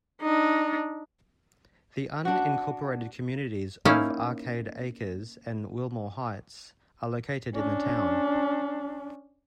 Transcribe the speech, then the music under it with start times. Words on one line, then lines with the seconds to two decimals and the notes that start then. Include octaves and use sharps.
The unincorporated communities of Arcade Acres and Wilmoore Heights are located in the town.
0.22 D4 D#4
2.25 D4 F#4
3.85 A#3 C#4 D#4 E4
7.54 C#4 D4